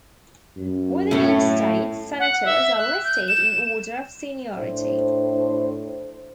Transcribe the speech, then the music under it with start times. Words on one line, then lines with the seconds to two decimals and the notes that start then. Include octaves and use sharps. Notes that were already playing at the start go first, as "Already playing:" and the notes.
Within each state, senators are listed in order of seniority.
0.56 F#2
1.11 A3 C#4 E4 A4
2.20 F#5
2.45 E5
2.79 F#6
3.04 G6
3.28 E7
4.57 A2 D4 C5